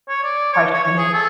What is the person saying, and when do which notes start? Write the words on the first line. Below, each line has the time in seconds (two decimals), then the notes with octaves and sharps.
Partridge Family.
0.09 C#5
0.23 D5
0.53 C#5
0.73 C#5
0.84 C#5
0.98 G#4
1.13 A4